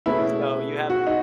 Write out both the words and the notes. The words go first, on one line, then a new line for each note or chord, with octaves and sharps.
so, you have
B2 A3 C#4 E4 G#4 B4
F#4
D#4